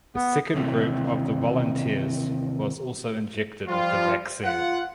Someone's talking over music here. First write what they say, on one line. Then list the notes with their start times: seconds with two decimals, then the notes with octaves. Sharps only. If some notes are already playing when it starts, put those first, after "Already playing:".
The second group of the volunteers was also injected with the vaccine.
0.15 B3
0.54 D#2 C3 E3
3.68 F3 G3 F4
4.45 F4 F#5